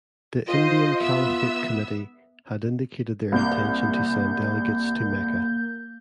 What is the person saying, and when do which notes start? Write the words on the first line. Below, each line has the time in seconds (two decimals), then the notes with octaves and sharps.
The Indian Caliphate Committee had indicated their intention to send delegates to Mecca.
0.48 F4 C5 D#5
1.00 B3 E5 E6
3.32 C2 A#3 G6